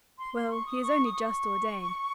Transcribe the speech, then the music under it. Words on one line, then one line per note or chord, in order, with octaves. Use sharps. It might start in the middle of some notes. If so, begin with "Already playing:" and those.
Well, he is only just ordained.
C6
C6
C#6
D#6
C#6
D#6
C#6